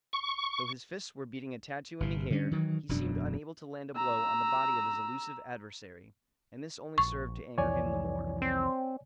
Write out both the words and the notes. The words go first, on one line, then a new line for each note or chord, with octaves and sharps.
Though his fists were beating a tattoo in the air he seemed unable to land a blow on the body of his elusive adversary, and this only served to anger him the more.
C#6
G1 C3
D3 G3 C#4 D4
D#3 E3 F#3
E1 F#2 B2 D4
A#5 E6
A#1 C#6
C2 F2 E3 C#5 D5 G#5
C4